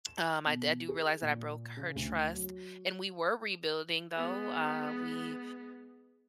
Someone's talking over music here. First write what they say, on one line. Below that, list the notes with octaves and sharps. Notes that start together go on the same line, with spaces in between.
Um, I di I do realize that I broke her trust, and we were rebuilding though, uh, we
E7
B2
G#4
A#2
C#3
D2
F#3
G#3 B3